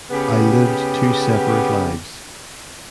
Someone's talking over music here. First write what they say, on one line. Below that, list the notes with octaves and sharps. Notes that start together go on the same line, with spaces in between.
I lived two separate lives.
C#3 B3 G4